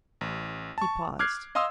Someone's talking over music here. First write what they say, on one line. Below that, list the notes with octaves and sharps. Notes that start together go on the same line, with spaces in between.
He paused.
A1
A5 C#6
D6 F6 F#6 G#6 C7
D#5 F5 C6 D#6 E6